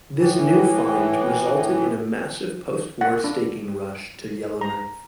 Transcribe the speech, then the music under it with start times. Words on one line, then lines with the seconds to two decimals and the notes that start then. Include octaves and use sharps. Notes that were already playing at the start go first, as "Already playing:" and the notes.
This new find resulted in a massive post-war staking rush to Yellowknife.
0.16 A2 E3
3.01 F#5
3.24 D4
4.61 A#5